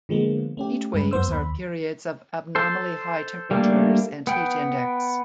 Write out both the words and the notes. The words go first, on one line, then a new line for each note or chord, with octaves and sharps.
Heat waves are periods of abnormally high temperatures and heat index.
D3 F3 G#3 A#3 B3
A3 C#4 G4
G2 G#3 B4
F#2 B3 C5 E6
D#2 B5
A4 C5
G3 A3 A#3 D4
B3 G5